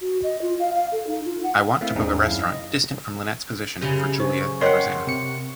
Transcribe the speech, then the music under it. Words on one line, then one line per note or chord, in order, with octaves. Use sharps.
I want to book a restaurant distant from lynette's position for julia and rosanna.
F#4
D#5
F4
F5
F5
A4
D#4
F4
F#5
A3 A#3 C4 E4 E5 F5
D#2 G#2 C4 D4 D#4 G#4
F#2 E4 F5
D#5
F#2 C#3 G4
C5 C#6
A#4 C#5 D#5 F#5 G5 C6
C3 C#7